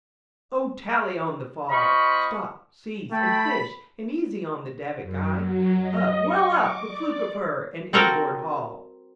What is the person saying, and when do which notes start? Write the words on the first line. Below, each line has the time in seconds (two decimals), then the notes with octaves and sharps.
O tally on the fall! Stop, seize, and fish, and easy on the davit-guy. Up, well up, the fluke of her, and inboard haul!
1.70 C4 F4 D#5 B5 C#6
3.11 A3 G5 A5 B5 B6
5.01 F#2
5.35 F#3
5.81 D#5
6.22 C#6
6.54 D6
6.86 D5
7.93 C4 F#4 A4 A#4 F5 G5